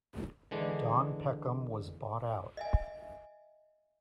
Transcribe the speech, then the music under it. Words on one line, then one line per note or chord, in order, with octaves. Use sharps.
Don Peckham was bought out.
D3 E3 G#3 D4
D#5 E5 G#5